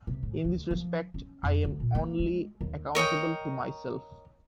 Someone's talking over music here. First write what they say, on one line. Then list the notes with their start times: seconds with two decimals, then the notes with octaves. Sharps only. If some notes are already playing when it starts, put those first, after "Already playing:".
In this respect, I am only accountable to myself.
0.07 C3
0.23 A2
0.45 D2
0.71 F3
1.14 C#4
1.43 F2
1.65 D2
1.80 A#2
1.95 A#3
2.19 G#3
2.61 D#2
2.95 A#4 C#5 D#5 G5